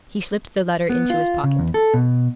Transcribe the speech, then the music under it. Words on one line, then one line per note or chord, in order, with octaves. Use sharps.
He slipped the letter into his pocket.
B3
F4
C#3
E2
A4
B2